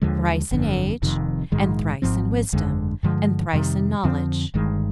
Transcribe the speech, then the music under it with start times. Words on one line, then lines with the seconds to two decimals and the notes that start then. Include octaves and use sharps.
Thrice in age, and thrice in wisdom, and thrice in knowledge.
0.02 D#2 D3 F3 G#3
0.51 G1 F2 D3
1.02 F1 F2 C3 D#3
1.52 A#1 G#2 D#3 G#3
2.02 G#1 G#2 F3 C4
2.53 G1 F2 D3 G#3
3.03 G2 D3 F3 G#3
3.53 F2 C3 D#3 G3
4.04 F2 D3 F3 C4
4.54 G1 G2 D#3 G#3